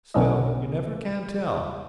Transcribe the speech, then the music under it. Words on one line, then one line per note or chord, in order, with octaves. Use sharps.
Still, you never can tell.
B1 B3 C#4 D4 E4 D#5